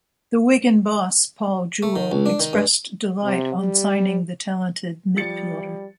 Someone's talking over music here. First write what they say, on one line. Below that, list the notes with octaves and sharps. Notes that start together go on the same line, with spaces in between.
The Wigan boss, Paul Jewell expressed delight on signing the talented midfielder.
A3
D#3
C#2
D4
D#3
G2
C3
G3
F3 G3 A6 C#7